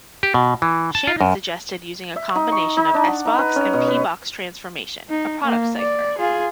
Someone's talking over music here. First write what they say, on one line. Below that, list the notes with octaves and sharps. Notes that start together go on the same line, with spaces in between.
Shannon suggested using a combination of S-box and P-box transformation-a product cipher.
G4
B2
E3
A5
F4
F#2
E5
D#4
C#6
D#4
D4
F#5
D#4
B4
C#4
B2
B4
D#4
A#3
D5
F4 G#4